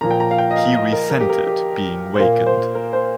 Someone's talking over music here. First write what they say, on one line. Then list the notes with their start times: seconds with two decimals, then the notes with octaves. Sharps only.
He resented being wakened.
0.01 A#2 F3 A#3 A#5
0.11 G5
0.20 A#5
0.31 F5
0.38 G5
0.51 D#5
0.56 F5
0.74 D#5
0.93 A#4
1.10 A#4
1.20 G4
1.29 A#4
1.47 G4
2.15 C5
2.19 A#2 A#3 A#4
2.46 C5
2.75 A#4
2.93 C5